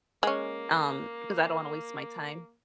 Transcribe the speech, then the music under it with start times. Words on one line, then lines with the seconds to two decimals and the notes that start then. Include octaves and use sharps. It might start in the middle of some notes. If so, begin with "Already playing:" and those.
um, because I don't want to waste my time.
0.23 G#3 A#3 C#4